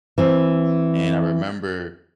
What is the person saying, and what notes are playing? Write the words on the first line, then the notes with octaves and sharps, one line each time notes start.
and I remember,
E3 C4